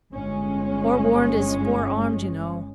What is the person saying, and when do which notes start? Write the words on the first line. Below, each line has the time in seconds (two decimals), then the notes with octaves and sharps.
Forewarned is forearmed, you know.
0.12 G1 G#3 C#4